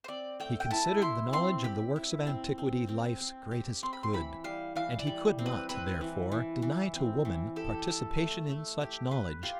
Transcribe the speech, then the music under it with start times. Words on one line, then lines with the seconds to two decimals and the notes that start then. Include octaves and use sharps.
He considered the knowledge of the works of antiquity life's greatest good, and he could not, therefore, deny to woman participation in such knowledge.
0.04 C5
0.08 C4 D5
0.40 A3 G5
0.60 G5
0.71 E4 A5
1.02 E4 C6
1.33 C4 C6
1.64 G4 B5
1.96 E4
2.27 C4
2.58 C4
2.89 C4
3.21 C4
3.51 G4
3.83 C4 C6
3.93 B5
4.03 C6
4.14 E3 B5
4.44 G3 F5
4.76 E3 F5
4.99 D5
5.07 G3
5.39 C4
5.46 B4
5.69 C4 B4
6.01 E3
6.32 E3
6.62 E3
6.95 C4
7.25 E3
7.56 G4 A4
7.87 G4
8.18 A3
8.49 A3
8.81 G4
9.11 B4
9.43 F4 G4